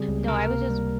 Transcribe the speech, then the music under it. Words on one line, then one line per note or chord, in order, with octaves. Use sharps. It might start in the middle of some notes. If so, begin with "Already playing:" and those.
No, I was just
Already playing: C#3 G3 C4 G#4
C#2
C3 A#4
A#3
G3